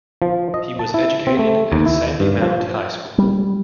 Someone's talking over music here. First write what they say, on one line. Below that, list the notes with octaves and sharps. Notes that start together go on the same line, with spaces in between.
He was educated at Sandymount High School.
F3
D#5
A5
E4
C4
A3
D#2
E4
G2
F3
G3